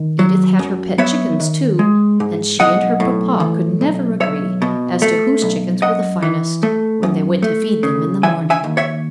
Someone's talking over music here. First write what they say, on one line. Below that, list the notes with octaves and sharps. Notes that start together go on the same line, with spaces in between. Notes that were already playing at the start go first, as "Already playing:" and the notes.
Edith had her pet chickens, too, and she and her papa could never agree as to whose chickens were the finest, when they went to feed them in the morning.
Already playing: D#3
F#3
F#2
B3 C#5 E5
D#3
G#3
G#2
B1 D#5 F#5
A2
E3
B1
B1 C#5 E5
B2
A3
B1
F#2 D#5 F#5
E3
A3
F#2
A3
C#3
E3 E5 G#5
E5 G#5
D#2
C#5 E5